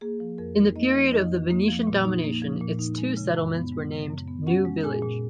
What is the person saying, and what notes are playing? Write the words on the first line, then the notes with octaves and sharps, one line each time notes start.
In the period of the Venetian domination its two settlements were named "New Village".
A#3 G#4
F3
F2 A#4
D#4
A#3 D#4 D#5
F3
F2 D#4 D#5
D#4
A#3
F3
A#2
D#4
A#3
F3
A#2
D#4
G#3
C#3
F#2
B3
G#3
C#3
F#2
B3
C#4 F#4 F#5
G#3
A#2 G#4 G#5
A#2